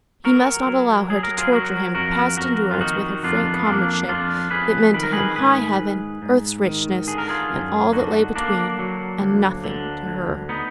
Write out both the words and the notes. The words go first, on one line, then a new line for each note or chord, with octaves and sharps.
He must not allow her to torture him past endurance with her frank comradeship that meant to him high heaven, earth's richness, and all that lay between, and NOTHING to her.
F#3 F#4 A#4
F#3
F#3 G#4
A#4
F4 G#4
F#3 F#4 A#4
F2 F#4 A#4
F2 F#4 A#4
F4
D#3 D#4 F#4
F2 D4 F4
B3
F2 A#3 D4
F2 D4 F4
F2 G#4 B4
D#3 B4
A#4
G#4 B4
G#2 G#4 B4
G#2
G#2
D#3
D3 G#4
A#4
F4 G#4
F#2
D3 D#4 F#4
D3 A#3 D4
F#3
D2
D3
D2
B3 D#4